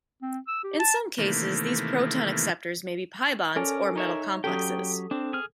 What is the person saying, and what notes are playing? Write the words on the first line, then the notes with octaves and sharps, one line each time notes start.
In some cases, these proton acceptors may be pi-bonds or metal complexes.
C4
E6
G4
A5
C3 D#3 E3 A3 A#3
C#4 A4 A#4 D5 G#5
D#4 C#5 E5
F#3 C#4 G4 A4 G5 D#6
C4 D4
G#4 F6